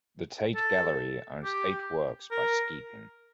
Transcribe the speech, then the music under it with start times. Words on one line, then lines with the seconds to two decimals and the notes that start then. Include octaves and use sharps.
The Tate Gallery owns eight works by Skeaping.
0.55 A4
1.44 G4
2.31 A#4